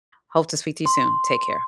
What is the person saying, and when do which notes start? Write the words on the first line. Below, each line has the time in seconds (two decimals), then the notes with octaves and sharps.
hope to speak to you soon, take care.
0.86 C6